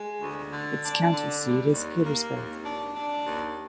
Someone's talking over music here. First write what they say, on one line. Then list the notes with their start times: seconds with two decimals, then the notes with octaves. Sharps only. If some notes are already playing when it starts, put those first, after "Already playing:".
Its county seat is Petersburg.
Already playing: G#3
0.20 D2
0.50 D3
0.81 D4
1.11 D3
1.43 G3
1.72 D#2
2.03 A#3
2.33 D#2
2.63 D4
2.94 D4
3.24 D#2